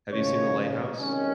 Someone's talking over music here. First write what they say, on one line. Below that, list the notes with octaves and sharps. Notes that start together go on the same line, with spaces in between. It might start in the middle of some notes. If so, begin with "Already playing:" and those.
Have you seen The Lighthouse?
D#2 C#3 F3 G#3 C#5
D#4
C2 C3 D#3 G#3 C#4